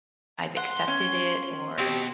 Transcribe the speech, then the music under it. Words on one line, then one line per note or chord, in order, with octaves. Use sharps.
I've accepted it, or,
F#5 C6
C#4
B2 C4 G4